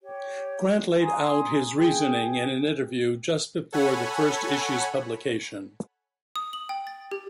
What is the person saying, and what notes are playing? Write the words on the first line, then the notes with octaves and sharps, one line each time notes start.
Grant laid out his reasoning in an interview just before the first issue's publication.
G4 C#5
G#5 A#5 C6 D#6
G#4 G5
A4 C#5 F#5 G#5 B5
D#6
F#7
G5
A6
G4